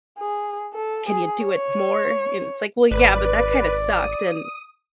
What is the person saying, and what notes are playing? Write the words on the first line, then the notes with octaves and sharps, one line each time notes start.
"Can you do it more?" And it's like, "Well, yeah, but that kinda sucked, and
G#4
A4
G#4
C#5
G#1 B4 D5
D#6